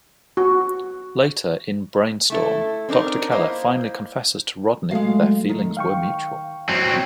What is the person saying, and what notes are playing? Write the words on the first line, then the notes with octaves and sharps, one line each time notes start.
Later, in "Brainstorm", Doctor Keller finally confesses to Rodney their feelings were mutual.
F#4
A3 E4 A4
C4 D4 D#4 A#4
A#3 E4 C5 D#5
F#3 G#3 A3 F5
D#3
F5 G5 C#6
F#3 C4